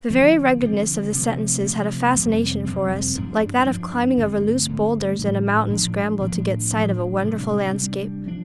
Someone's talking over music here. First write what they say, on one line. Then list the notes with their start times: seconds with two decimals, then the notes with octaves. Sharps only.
The very ruggedness of the sentences had a fascination for us, like that of climbing over loose bowlders in a mountain scramble to get sight of a wonderful landscape.
0.10 D3 F3 C4
0.61 D3 F3 C4
1.12 C3 F3 A3
1.62 C3 F3 A3
2.14 F2 C3 G3 C4
2.65 F2 C3 G3 C4
3.15 G2 F3 D4
3.66 G2 F3 D4
4.17 G2 D3 A3 C4
4.68 G2 D3 A3 C4
5.19 A2 F3 D4
5.69 A2 F3 D4
6.21 A2 F3 D4
6.71 A2 F3 D4
7.22 C3 G3 D4
7.73 C3 G3 D4
8.26 F3 D4